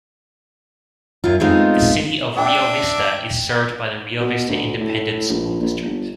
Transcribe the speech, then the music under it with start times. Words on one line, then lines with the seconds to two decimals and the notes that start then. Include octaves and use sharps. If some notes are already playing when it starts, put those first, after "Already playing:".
The City of Rio Vista is served by the Rio Vista Independent School District.
1.24 F#2 F4
1.40 G#3 A3 B3 C4 D#4 F4
2.37 D4 D5 E5 F#5 G5
4.20 B2
4.49 D2
4.80 A2
5.30 A#1
5.61 A#1
5.84 G1